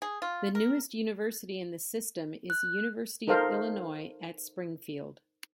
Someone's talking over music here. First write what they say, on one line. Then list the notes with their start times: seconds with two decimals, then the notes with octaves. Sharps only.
The newest university in the system is University of Illinois at Springfield.
0.02 G#4
0.22 F4
0.55 A#4
2.50 F#6
3.27 D#4 A4 A#4 C5 F5